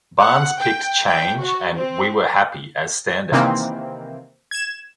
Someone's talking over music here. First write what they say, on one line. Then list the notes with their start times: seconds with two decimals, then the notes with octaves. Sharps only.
Barnes picked "Change" and "We Were Happy" as standouts.
0.20 F#5
0.60 G5
1.07 G5
1.39 F#4
1.75 C4
3.32 C3 D#3 E3 A#3 C4
4.51 G#6 E7